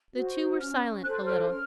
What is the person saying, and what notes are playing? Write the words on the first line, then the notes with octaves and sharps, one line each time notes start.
The two were silent a little.
F#4 C5
C#4 F6
A4 C5 F#6
F6
C#4 F6